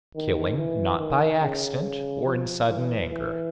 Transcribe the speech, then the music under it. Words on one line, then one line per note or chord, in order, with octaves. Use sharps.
Killing, not by accident or in sudden anger.
D#3
E3
D#3
C#3
F3
E3
E3